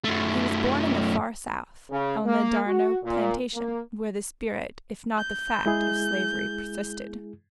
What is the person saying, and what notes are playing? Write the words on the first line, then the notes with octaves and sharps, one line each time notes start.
He was born in the Far South, on the d'Arnault plantation, where the spirit if not the fact of slavery persisted.
F#2 A3
C#3
A#3
F#4
A#2
A#3
G6
G#3 E4 G#4